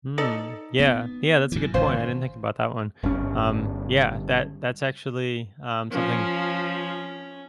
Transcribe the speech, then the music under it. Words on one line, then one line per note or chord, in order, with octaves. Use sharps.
Hmm, yeah, yeah. That's a good point. I didn't think about that one. Um, yeah, that that's actually, um, something
D#4 A4 D5
B3
F#2 E3
G#1 C#3 E3 C#4 F4 C5
G1 G2 C#4
F3 C#4